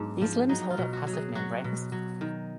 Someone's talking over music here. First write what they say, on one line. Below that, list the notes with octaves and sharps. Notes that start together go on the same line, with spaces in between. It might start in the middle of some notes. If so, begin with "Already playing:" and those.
These limbs hold up passive membranes.
Already playing: G#2 F#3 B3 D4
F3
F#3 D#4
F4
B2
F#4
F#3
G#4
F#3 F#4
B2
F#3
D#3